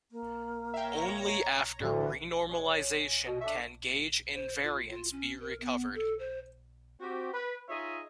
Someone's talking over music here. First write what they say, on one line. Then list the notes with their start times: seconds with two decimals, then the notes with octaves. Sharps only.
Only after renormalization can gauge invariance be recovered.
0.11 A#3
0.74 C#5 E5 F5 G5 A#5
1.80 D2 A2 D3 E3 F3
2.49 G#3 C#5
3.26 B2 D#5
3.41 D4 A4 E5 C#6
4.34 C5
4.63 F4
4.90 F4
5.11 C#4
5.40 A#4
5.61 B3
5.94 A4
6.19 C5
7.00 C4 F#4 G4
7.33 B4
7.69 D#4 F4 G#4 C#5 D#5 E5